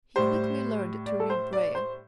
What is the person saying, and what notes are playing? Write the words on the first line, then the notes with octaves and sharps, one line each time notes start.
He quickly learned to read Braille.
A2 G3 C5
D5
A4
C5
D5
C5